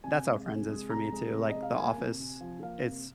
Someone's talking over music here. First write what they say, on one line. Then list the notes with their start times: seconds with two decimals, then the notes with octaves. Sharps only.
That's how Friends is for me too like, The Office is
0.04 C3 G#5
0.26 G#3
0.47 C3
0.69 G#3
0.90 C3 A#5
1.12 G#3
1.33 C3
1.50 G#3 D#5
1.63 F5
1.76 A#3 G#5
1.98 C3
2.20 C3
2.41 F3
2.62 A#3 F5
2.84 C3